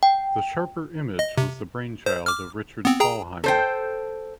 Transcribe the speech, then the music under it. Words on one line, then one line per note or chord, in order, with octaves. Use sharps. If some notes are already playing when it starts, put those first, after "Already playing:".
The Sharper Image was the brainchild of Richard Thalheimer.
G5
D#5
C3
C5
D6 F6
B3 C4
G#4 G5 A#5
A4 C5 G5